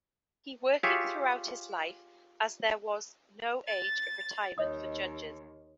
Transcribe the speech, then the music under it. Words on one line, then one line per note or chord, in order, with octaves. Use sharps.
He working throughout his life as there was no age of retirement for judges.
F4 G4 G#4 C#5 E5
A6
D#2 C#5 D#5 D#6